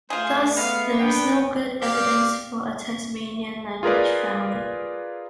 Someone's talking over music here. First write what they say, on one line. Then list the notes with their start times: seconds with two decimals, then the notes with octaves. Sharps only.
Thus there is no good evidence for a Tasmanian language family.
0.10 A3 F4 G#4 C5
0.57 G#3 B3 F5
1.00 B3 D4 G5
1.82 G4 D5 F5
3.83 F4 G#4 A#4 B4 D5